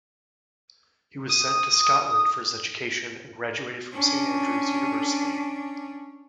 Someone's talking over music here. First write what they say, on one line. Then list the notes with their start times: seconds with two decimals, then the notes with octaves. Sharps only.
He was sent to Scotland for his education and graduated from Saint Andrews University.
1.29 D#6
3.92 C#4 D4